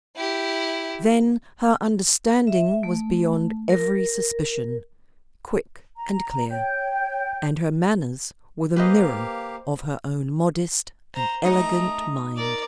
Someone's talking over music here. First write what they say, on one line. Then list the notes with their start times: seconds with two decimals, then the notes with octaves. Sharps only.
Then, her understanding was beyond every suspicion, quick and clear; and her manners were the mirror of her own modest and elegant mind.
0.16 E4 G4
2.47 E5
2.83 A3
3.70 A#4
5.97 A#5
6.51 C#5 G5 G6
8.76 A#3 G4 B4 C5 D#5 F5
11.15 C5 A#5
11.45 A3 D#4 A#5
12.37 A#4 D5